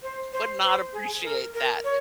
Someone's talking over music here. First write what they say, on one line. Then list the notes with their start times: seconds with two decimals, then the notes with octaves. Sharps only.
would not appreciate that,
0.03 C5
0.33 C5
0.63 C5
0.93 G#4
1.24 A#4
1.54 A#4
1.84 C#5